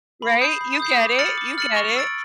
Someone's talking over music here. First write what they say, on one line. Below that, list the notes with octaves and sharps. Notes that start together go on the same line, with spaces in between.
Right? You get it, you get it.
B5
D#6 G6 C7
B5
D#6 G6 C7
D6
F6 A6 C#7 F#7
D6
F6 A6 C#7 F#7
C#6
E6 A6 D7